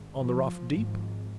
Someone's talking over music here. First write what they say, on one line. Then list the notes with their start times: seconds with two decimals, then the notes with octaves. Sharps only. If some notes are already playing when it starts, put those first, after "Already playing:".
'On the rough deep.
Already playing: G#1 G#2
0.19 F3
0.71 G#1 G#2